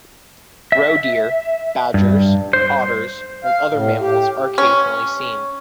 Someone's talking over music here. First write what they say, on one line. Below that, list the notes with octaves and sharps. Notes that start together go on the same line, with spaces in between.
Roe deer, badgers, otters and other mammals are occasionally seen.
E5
G2
C5
F5
A2
G4
C#4